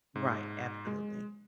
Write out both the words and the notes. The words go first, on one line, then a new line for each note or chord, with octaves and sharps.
Right. Absolutely.
G#2
G#3